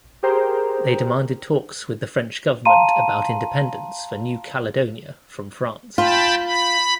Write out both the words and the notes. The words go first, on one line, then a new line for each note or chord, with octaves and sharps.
They demanded talks with the French government about independence for New Caledonia from France.
G4 G#4 A#4 C5 G5 A#5
F5 A5 A#5 C6 D#7
F4 G5 A5 B5
B5